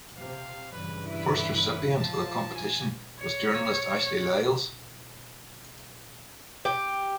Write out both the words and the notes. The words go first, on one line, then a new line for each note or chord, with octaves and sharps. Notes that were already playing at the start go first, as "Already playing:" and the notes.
The first recipient of the competition was journalist Ashley Lyles.
C3 F5
G2 C#3 E3 B4
E4 B4
F3 A5
G#5
C#5
G4